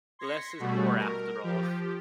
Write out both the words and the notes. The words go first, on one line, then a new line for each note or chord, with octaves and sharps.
Less is more after all.
C6 G#6 A#6 B6 C#7
B2 G3 A3 F#4
A#4
F3 G4